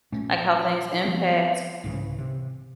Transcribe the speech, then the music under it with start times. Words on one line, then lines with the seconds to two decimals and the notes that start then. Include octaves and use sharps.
like how things impact.
0.12 A#2 A3 C#4
1.05 F3 B3 C4
1.84 C2 G#2 C#3 E3
2.19 C3